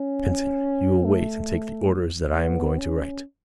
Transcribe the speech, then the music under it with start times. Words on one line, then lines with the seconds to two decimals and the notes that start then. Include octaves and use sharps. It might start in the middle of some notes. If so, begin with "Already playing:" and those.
"Mr. Kenton, you will wait and take the orders that I am going to write."
Already playing: C#4
1.04 A3
2.35 B3
2.78 C#4